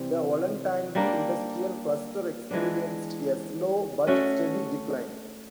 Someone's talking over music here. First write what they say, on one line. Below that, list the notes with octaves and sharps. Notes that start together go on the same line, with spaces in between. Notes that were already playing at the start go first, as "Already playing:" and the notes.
The Olentangy Industrial Cluster experienced a slow but steady decline.
Already playing: C3 E3 G3
G3 A#3 D4
E3 G#3 B3 D4
A3 C#4 F#4 A4